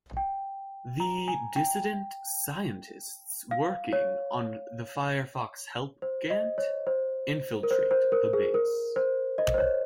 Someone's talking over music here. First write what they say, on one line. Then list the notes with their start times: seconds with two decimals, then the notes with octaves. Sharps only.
The dissident scientists working on the Firefox help Gant infiltrate the base.
0.17 G5
1.00 A#5
1.28 G#5
1.56 G5
3.51 F5
3.93 C#5
6.02 C5
6.30 D#5
6.58 C#5
6.87 C5
7.63 A#4
7.71 C5
7.91 C5
8.12 A#4
8.33 G#4
8.54 A#4
8.96 C5
9.38 D#5
9.54 C5
9.58 C#5